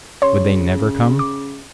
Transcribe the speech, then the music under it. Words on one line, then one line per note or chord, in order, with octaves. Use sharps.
Would they never come?
C#3 C#5 C6
D6